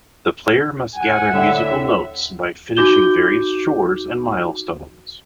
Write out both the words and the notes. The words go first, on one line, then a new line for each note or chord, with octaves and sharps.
The player must gather musical notes by finishing various chores and milestones.
F#5 G#5
A2 D3 E5
D#4 F#4 D6 G6 G7